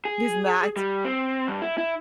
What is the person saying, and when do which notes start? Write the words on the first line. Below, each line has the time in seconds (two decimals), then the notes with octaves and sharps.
is not
0.05 G#4
0.77 G3
1.04 C4
1.48 G2
1.62 E4
1.78 E4